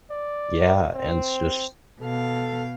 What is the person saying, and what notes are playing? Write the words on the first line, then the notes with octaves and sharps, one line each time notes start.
Yeah, and it's just
D5
C4
B2 A4 F5